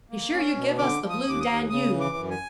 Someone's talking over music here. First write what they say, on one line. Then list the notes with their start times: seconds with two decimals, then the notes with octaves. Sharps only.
Be sure you give us the Blue Danube.'
0.10 A#3
0.34 C#4
0.56 B2
0.78 D3 D6
1.02 F3
1.10 D#6
1.24 D#2 D6
1.40 D#6
1.47 D#2
1.70 C#3 D#6
1.92 E3
2.00 D6
2.16 F#2
2.30 G#5